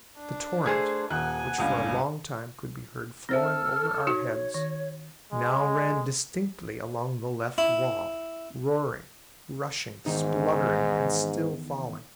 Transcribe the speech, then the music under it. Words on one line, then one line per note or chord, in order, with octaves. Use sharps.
The torrent, which for a long time could be heard flowing over our heads, now ran distinctly along the left wall, roaring, rushing, spluttering, and still falling.
D4
A3 G#4 C5 G#6
D#1 D#3 F#5 G#5 F#6
G1 C#2 G2
C4 A4 C5 E5 E6 F6
D#4 F#4 C#5
D#3
G#3
E4
E2 G#2 D#3 D#4